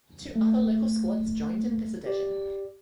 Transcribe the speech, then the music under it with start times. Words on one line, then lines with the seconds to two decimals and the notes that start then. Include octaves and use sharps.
Two other local squads joined in this edition.
0.36 A3
2.06 G4 D5